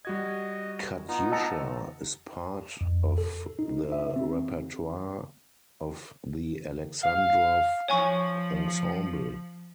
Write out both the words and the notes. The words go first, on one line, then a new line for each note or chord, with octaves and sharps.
"Katyusha" is part of the repertoire of the Alexandrov Ensemble.
G3 F#4 D#5 G#6
B3 D#4 F4 A#5
D#5 A5 A#5 E6 C#7
F2
A4
D#4
E5
C4
F5
F3 C#5 G#5 C#6